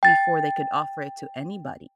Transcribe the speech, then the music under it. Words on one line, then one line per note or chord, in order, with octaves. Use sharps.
before they could offer it to anybody.
G5 A6